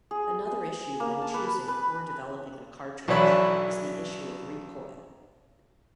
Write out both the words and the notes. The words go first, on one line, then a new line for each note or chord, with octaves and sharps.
Another issue, when choosing or developing a cartridge, is the issue of recoil.
G#4
A#3
A5
B4
B4
B1 E3 D4 E4 C#5 B5